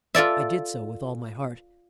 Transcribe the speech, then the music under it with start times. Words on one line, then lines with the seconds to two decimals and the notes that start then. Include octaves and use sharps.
I did so with all my heart.
0.15 F4 A4 D5 E5